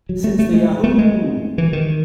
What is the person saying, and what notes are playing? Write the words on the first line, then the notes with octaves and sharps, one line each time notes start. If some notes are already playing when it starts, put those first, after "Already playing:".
Since the Yahoo!
F#3
A3
A3
G#3
A3
G#3
E3
D#3